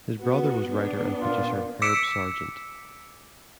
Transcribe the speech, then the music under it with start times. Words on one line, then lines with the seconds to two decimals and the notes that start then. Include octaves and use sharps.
His brother was writer and producer Herb Sargent.
0.20 B3 F#4
0.68 B3 D4
1.21 A#2 F4
1.82 D6 E6 B6 C#7 D7 E7